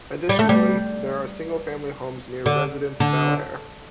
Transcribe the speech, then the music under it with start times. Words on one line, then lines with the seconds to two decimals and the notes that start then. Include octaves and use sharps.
Additionally there are single family homes near "Residence Bel-Air".
0.29 G3
0.39 A3
0.49 G3
2.46 D3
3.00 D3